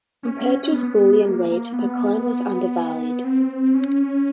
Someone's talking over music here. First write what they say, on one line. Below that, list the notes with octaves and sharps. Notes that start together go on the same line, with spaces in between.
Compared to its bullion weight, the coin was undervalued.
C#4
B3
A#3
B3
C4
C#4